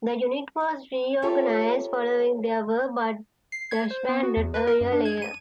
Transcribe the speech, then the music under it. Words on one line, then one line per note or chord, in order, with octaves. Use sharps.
The unit was reorganized following the war, but disbanded a year later.
F4 G4 A4 A#4 C#5 E5
C7
G#6
C5
B3
F#4
E2
B4
A#4
F#2
D4
G#6
D#7